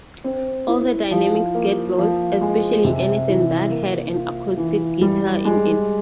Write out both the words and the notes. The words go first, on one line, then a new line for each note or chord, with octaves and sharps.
All the dynamics get lost, especially anything that had an acoustic guitar in it.
C4
E4
F3
A#3
F3
G#3
C3
E3
A#3
F4
E3
G3
G#3